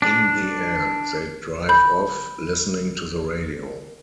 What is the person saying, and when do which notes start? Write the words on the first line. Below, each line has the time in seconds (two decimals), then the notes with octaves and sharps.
In the end, they drive off, listening to the radio.
0.02 D4
1.69 B5 G6